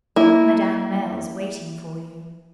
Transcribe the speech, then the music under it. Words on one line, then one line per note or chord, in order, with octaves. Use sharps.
"Madame Merle's waiting for you."
A#3 E4